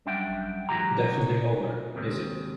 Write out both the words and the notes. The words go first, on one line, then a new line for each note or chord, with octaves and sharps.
Definitely over, is it?
F#2 G3 D4 E5 F#5 G5
G#2 C3 E3 F#3 G4 A#5
B2
D#2 G#2 C3